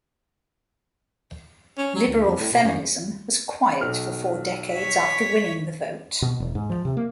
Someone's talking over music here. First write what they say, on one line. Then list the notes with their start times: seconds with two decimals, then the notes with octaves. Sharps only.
Liberal feminism was quiet for four decades after winning the vote.
1.78 C#4
1.95 F#3
2.08 D2
2.25 F2
2.39 A2
2.52 B2
2.64 F#2
3.81 B1 F#3 F6
4.75 C#5 B6
6.22 B2
6.40 E1
6.55 G#2
6.70 F3
6.85 C3
6.97 A#3